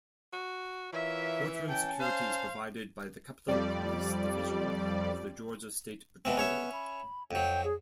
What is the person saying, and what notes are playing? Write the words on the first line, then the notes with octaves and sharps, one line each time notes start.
Courtroom security is provided by the Capitol Police Division of the Georgia State Patrol.
F#4
E3 F4 A#4 C#5 E5
C#4 G5 A5
C5 F5
F2 G3 D5
B2 E3 B3 C4
C#4 C#5 E5
B5
F2 F#3 G5
G#4